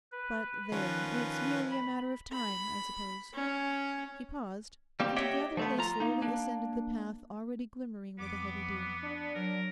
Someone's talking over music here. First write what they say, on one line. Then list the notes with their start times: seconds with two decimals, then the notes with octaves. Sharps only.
But there, it's merely a matter of time, I suppose.' He paused, and together they slowly ascended the path already glimmering with a heavy dew.
0.12 B4
0.72 D#3 F3 C#4
1.71 B5
2.32 B5
3.33 C#4
5.00 G3 A#3 C4 G4
5.16 G4 C#5 D#5 E5 F#5 G5
5.57 F3 A3 B3
5.79 F4 A#5
6.00 A#3 D#4
6.22 A#3 D4
8.19 F2 B3 D6
9.02 D4
9.35 F#3 A#4